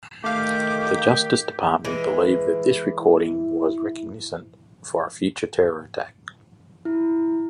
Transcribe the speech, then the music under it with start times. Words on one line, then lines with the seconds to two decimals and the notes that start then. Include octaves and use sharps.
The Justice Department believed that this recording was reconnaissance for a future terror attack.
0.24 D#3 A3 G4 F5 D6
1.85 E3 G#3
2.99 E4
6.85 E4